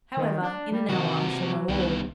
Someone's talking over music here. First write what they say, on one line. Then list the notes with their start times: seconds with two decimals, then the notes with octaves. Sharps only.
However, in an hour I shall know all.
0.17 D#3
0.42 D4
0.72 G3
0.89 C3 D#3 F#4
1.41 F#3
1.68 C2 D#3 B3